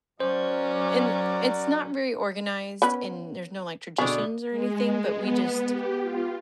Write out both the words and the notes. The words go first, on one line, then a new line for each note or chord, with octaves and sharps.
and it's not very organized and there's no like traditions or anything, but we just
F#3 C#4 F#4 A#4 C5 D5
B3 C#4 B4
B2 D3 G#4
G#3
B3
G4
F4